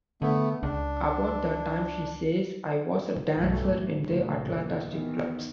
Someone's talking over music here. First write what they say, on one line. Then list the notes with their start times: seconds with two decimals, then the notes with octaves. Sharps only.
About that time, she says, I was a dancer in the Atlanta strip clubs.
0.22 D3 A3 B3
0.63 C#2 D4
3.37 B1 F#2 E3 F#3 G3 A3
3.67 A1
4.06 D2 A#2 C#3
4.48 D#2
4.88 D#3 E3 B3